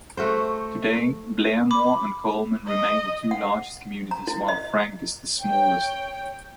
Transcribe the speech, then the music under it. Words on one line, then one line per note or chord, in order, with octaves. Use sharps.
Today, Blairmore and Coleman remain the two largest communities while Frank is the smallest.
A3 F#4 C5
B5 D6
D#5
F#5
A#5
E4
D#5
C#5 G5